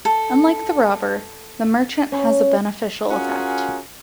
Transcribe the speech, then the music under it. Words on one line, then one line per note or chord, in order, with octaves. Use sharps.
Unlike the robber, the merchant has a beneficial effect.
A4
C#4
C#4 F4 F#4 G#4 A#4